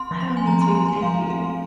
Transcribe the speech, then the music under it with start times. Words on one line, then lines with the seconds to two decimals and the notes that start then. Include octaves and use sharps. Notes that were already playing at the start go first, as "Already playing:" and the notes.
Oh, me too, thank you.
Already playing: C4 C6
0.11 F3
0.20 C6
0.30 C4
0.37 G#5
0.47 F3 A#5
0.62 C6
0.66 C4
0.75 C6
0.85 F3 G#5
1.02 F3 F5
1.21 C4
1.30 F5
1.39 C4